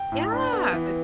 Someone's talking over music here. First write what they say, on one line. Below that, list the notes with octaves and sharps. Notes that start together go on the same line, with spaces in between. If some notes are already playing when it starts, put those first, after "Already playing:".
Yeah, there's
Already playing: G5
A2
D4
B3
E3